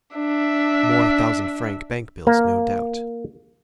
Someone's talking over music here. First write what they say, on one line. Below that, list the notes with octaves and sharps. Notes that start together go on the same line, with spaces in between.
More thousand-franc bank-bills, no doubt!
D4 E5
A#3